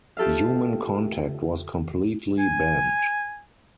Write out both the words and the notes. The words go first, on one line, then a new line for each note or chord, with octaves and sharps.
Human contact was completely banned.
F4 G4 A4 E5 F5
G#5